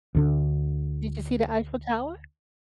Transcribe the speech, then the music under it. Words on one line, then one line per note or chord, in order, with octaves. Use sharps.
Did you see the Eiffel Tower?
D2 D3 D4